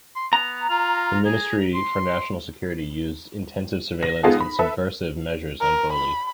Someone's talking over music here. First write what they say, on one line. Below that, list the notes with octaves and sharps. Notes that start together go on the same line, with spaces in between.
The Ministry for National Security used intensive surveillance and subversive measures on Bohley.
C6
B3 A#5
F4
G#4
C6
A#6
G#3 B3 D#4 F4 G#4 A4
B5
A4 B4 E5
A#4
B5